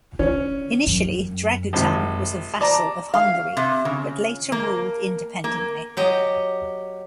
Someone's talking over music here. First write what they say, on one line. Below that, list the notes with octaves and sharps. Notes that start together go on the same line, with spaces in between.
Initially, Dragutin was a vassal of Hungary but later ruled independently.
D3 C#4
F#2
G#1 C3
D5 A5 A#5
F5
C3
C#3
A#3
A#3
F#3 G4 D#5